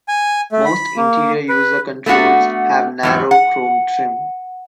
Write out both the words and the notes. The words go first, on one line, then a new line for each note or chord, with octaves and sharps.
Most interior user controls have narrow chrome trim.
G#5
A3
B5
A#3
B4
A3 B3 D4 F#4 F#5
E2 G#2 F#3
F#5